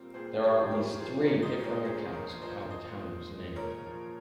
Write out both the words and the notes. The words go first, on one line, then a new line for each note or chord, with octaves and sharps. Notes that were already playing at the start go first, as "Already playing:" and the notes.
There are at least three differing accounts of how the town was named.
Already playing: A#2 G3 C4 A#4
A#2 G#4 C5
G3 G4 A#4
G#4
A#2 G4 A#4
F3 G#4 C5
A#4 C#5
A#2
C5 D#5
G#3
A#4 C#5
A#2 G#4 C5
F3 A#4 C#5
A#2 C5 D#5
F3 C5 D#5
A#2
G#3
A#2 A#4 C#5
F3